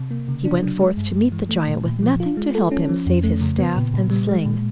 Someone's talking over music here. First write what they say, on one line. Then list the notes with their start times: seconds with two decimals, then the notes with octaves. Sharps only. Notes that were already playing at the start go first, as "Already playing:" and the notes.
He went forth to meet the giant with nothing to help him save his staff and sling.
Already playing: C3
0.11 A#3
0.28 C#3
0.45 D4
0.62 F#3
0.80 G#3
0.97 G2
1.15 G2
1.32 E3
1.49 A3
1.67 A#2
1.85 A#2
2.02 F3
2.20 F4
2.37 G#3
2.55 A4
2.71 C#4
2.89 F3
3.07 F2
3.23 A3
3.41 C#3
3.58 B3
3.76 A#2
3.94 A#2
4.10 G3
4.29 G#3
4.45 A#2